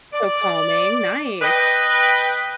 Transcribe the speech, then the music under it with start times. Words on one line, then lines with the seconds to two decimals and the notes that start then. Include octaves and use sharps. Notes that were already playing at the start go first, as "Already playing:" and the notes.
So calming, nice.
0.13 D5
1.42 B4 D#5 G5